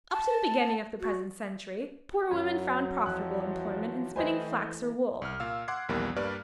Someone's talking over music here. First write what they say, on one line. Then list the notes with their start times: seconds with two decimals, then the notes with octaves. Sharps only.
Up to the beginning of the present century, poor women found profitable employment in spinning flax or wool.
0.12 A5
1.01 F#4
2.31 F#2 F#3 B5 G#6
3.06 F2 E3 F3 F#6
4.16 E3 A3 B4 C5 D#5 E5 G5 G#5
5.22 C2 F6
5.40 A#2 F5 E6
5.68 F#5 C6 D6 F#6 G#6 C7
5.89 A#1 D#2 E3 G3 B3 A#4
6.16 G2 G3 A#3 B4 D5 F6